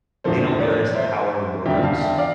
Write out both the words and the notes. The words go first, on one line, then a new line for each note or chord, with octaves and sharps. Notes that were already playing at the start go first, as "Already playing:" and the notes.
they don't realize the power of words,
E2 D3 F3 A3 A4 C5
A#4 D5
C5 E5
E2 D3 G3 E5 G5
F5 A5
E5 G5
D5 F5